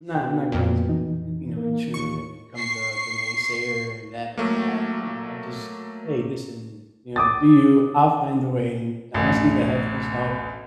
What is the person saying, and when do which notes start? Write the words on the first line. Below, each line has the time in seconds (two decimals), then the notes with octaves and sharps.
Nah, I'm not going to in you know, intrude and become the the naysayer and, blah, blah, blah, no, I just "Hey listen, you know, do you, I'll find a way," and honestly the headphones help,
0.15 B2 G5
0.52 F2 A#2
0.88 E3 D#4
1.57 A#3
1.94 D#2 C#6
2.55 C#6 C7
4.38 F#3 A3 A#3
7.16 D6 D#6 A6
9.14 A1 D2